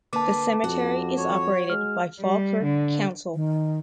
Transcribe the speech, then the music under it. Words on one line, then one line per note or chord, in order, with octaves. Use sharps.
The cemetery is operated by Falkirk Council.
D3 A#3 B4 A5 D6
F2 F#4
F2 C#5
G#3 F6
G3
D3
D#3